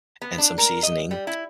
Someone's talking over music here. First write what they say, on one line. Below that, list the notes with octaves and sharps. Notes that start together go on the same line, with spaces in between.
and some seasoning,
B3
D4
A#4
D#5
G3
E4